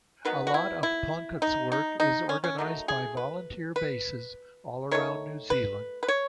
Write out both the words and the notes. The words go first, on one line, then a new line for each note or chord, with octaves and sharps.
A lot of Plunket's work is organised by volunteer bases all around New Zealand.
D#3 F#3 B3 B4
F#4
E4
E4
D#4
D#4
D#4
C#4
C#4
D#3 F#3 A3 D#4
G#4
B4
B4
D#3 A3 C#5
B4
B4
C#5